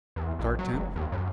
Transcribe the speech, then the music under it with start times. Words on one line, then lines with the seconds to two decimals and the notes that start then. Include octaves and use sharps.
Start Temp.
0.16 E2
0.39 A#1
0.59 F#3
0.73 F1
0.96 D#2
1.12 F#2